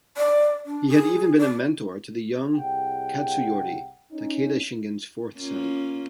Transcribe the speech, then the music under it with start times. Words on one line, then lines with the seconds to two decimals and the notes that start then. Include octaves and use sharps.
He had even been a mentor to the young Katsuyori, Takeda Shingen's fourth son.
0.17 D5
0.66 D4
0.88 G#4
1.38 D5
2.57 C2 G#4 F#5 G5
4.12 C#4 D#4
5.36 A#3 C#4 F4